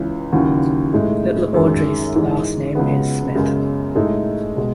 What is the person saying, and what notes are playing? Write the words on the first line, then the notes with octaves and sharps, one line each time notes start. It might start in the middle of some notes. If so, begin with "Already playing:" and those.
"Little Audrey"'s last name is Smith.
Already playing: C#2 C#3 E3
D#2 C#3 F#3 C#4 E4
A2 G#3 D#4
F#2 D#3 G#3
G#2 E3 G#3
C#2 C#3 G#3 B3 F#4
F#2 C#3 G#3
A2 G#3 D#4 A4
B2 G#3